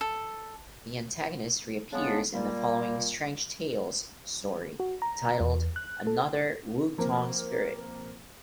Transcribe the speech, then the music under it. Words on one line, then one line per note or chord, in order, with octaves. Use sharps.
The antagonist reappears in the following "Strange Tales" story titled "Another Wutong Spirit".
A4
C#3 G#3 B3 D4
A#2 G3 A#3
F#4
A#5
E2
F#6
A4
F3 A#3 C4 A#4